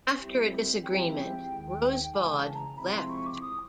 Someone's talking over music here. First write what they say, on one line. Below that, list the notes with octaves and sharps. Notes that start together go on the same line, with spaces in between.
After a disagreement, Rosbaud left.
G3 C4 E4 G4
F3 G#3 C4 E4 G4 G5
D#2 D#3 G#3
C#3 E3 G#3 G#5
A5
A#5
C3 F3 G#3 C4 E4 B5
C6
C#6
D6
D#6